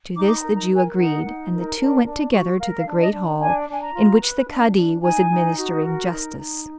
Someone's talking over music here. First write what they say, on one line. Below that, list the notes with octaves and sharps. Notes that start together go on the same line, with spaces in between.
To this the Jew agreed, and the two went together to the great hall, in which the kadi was administering justice.
D#4 D6
D6
B5
A#4
A#5
A#4
G#5
D#4 F#5
D#4
A#4
D4
D4
F#4
A#4 F5
F5
D4
D#5
D4
D4 G#5
D4 G#5
A#5
F4
B4
D4
D4
D#4 G#5
D#4
F#4
A#4
D#4
D#4